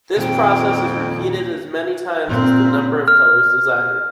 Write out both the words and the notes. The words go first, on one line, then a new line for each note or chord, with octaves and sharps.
This process is repeated as many times as the number of colours desired.
F2 A#2 D#3 G3 C4 G5
A#2 C4
F6